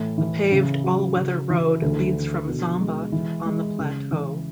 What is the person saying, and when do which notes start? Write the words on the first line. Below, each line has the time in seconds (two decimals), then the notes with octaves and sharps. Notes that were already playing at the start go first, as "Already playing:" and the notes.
A paved all-weather road leads from Zomba on the Plateau.
Already playing: A2 E3
0.18 E3
0.52 C#3
0.84 F#3
1.16 C#3
1.50 E3
1.82 D2
2.15 D3
2.48 B2
2.80 G#3
3.12 E3
3.46 G#3
3.78 C#3
4.11 E3